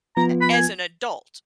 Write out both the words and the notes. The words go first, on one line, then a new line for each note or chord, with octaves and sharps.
a as an adult.
F3 B3 F4 B4 A#5
B5
G#5